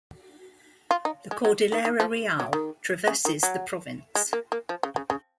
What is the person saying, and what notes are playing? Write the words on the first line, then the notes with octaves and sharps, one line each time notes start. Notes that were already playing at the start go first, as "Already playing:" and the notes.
The Cordillera Real traverses the province.
F4
D#4
G#3
F#3
D#3
D#3
F3
F#3
D#3
C#3
D#3
F#3
G#3
A#3
A#3
F3
C#3
C#3
C#3